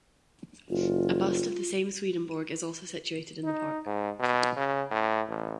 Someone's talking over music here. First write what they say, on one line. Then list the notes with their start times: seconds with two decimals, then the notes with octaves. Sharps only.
A bust of the same Swedenborg is also situated in the park.
0.70 F#1 F4
3.44 D#4
3.86 G#2
4.19 B2
4.56 C#3
4.91 A2
5.28 A1